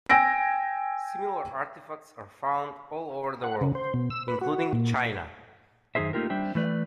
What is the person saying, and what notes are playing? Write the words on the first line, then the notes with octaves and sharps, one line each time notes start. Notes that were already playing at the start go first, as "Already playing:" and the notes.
Similar artifacts are found all over the world, including China.
G5 G#5 E6 A#6 D7
F#5
C#3
C5
B2
E6
B4
F#4
A#2
F#2 D#3 D#4 G#4 C5 E5
A3 A#3 D#4 F4 G4 A#4
G3 D4 C5 E5 G5
E3 A3 B4 D5